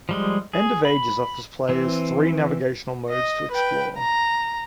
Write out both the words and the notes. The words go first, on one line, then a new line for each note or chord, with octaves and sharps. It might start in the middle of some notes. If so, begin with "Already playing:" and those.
"End of Ages" offers players three navigation modes to explore.
F3 G3 G#3
G#4
B5
E3 C4
D#5
B4 G5
A#5